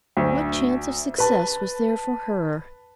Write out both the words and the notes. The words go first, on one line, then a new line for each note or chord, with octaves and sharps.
What chance of success was there for her?
D2
B4 A5